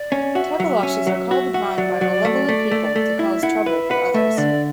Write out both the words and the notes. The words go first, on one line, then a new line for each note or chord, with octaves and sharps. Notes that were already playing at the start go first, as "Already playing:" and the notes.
Tokoloshes are called upon by malevolent people to cause trouble for others.
Already playing: D5
C#4
F#4 E5
F#3
C#4
F#3
F#4
F#4
F#3 D5
F#3
A3
A3
A3
A3
E4 E5
E4 F#5
B4 E5
B4 F#5
A3 E5
D3 D5